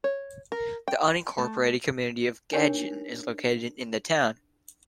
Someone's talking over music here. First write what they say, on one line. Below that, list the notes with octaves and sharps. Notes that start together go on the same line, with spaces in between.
The unincorporated community of Gagen is located in the town.
C#5
A#4
G5
A3
D4 D#4 G4 A#4 C#5 G#5